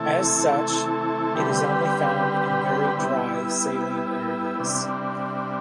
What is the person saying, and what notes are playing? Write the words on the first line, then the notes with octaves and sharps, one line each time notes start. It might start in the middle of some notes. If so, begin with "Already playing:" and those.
As such, it is only found in very dry saline areas.
Already playing: C3 E3 A3 E4 A4
D3 G3 C4 G4 B4
G3 B3 E4
C3 G3 D4